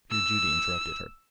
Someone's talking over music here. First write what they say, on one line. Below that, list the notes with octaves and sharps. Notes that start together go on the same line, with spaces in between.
Here Judy interrupted her.
E6